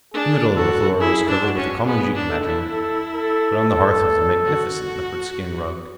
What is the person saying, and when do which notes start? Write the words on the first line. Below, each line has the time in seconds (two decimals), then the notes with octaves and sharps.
The middle of the floor was covered with a common jute matting, but on the hearth was a magnificent leopard-skin rug.
0.14 D4 G#4
0.56 F#4 A4
1.00 E4 G#4
1.28 D4
1.43 F#4
1.57 C#4
1.86 B3 G#4
2.15 D4
2.29 A4
2.43 E4
2.72 A4
3.15 A4
4.45 F#4